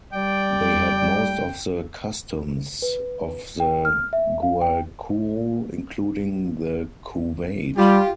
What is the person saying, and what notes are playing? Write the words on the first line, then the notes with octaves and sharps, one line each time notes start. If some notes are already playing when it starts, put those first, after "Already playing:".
They had most of the customs of the Guaycuru, including the couvade.
G3 D5 G5
B4
G5
F6
E5
F5
G5
G3 F4 G4